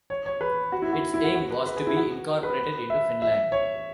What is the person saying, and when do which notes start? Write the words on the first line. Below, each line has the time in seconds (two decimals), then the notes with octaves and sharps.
Its aim was to be incorporated into Finland.
0.10 C#5
0.26 C#5
0.41 B4
0.72 F#4
0.82 E4
0.93 F#4
1.14 E4
1.24 F#4
1.35 F#4
1.51 B4
1.66 B4
1.77 G#4
1.87 E4
1.97 F#4
2.43 B4
2.90 E5
3.22 E5
3.52 C#5